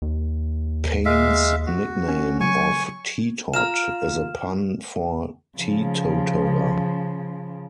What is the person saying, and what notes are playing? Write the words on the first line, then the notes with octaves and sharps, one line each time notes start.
Payne's nickname of "Tee Tot" is a pun for "teetotaler".
D#2
G#3 E5 F5
F#4
C#4
F#3 G#5 C#6
F4 F5 A#5 F6 E7
C#3 F3